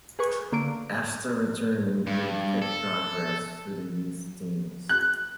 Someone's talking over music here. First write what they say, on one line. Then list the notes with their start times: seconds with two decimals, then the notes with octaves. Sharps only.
After returning, he made quick progress through the youth teams.
0.19 G#4 B4 C#6
0.52 D3 A#3 D4 D7
2.07 G2
2.62 A4
4.89 F#6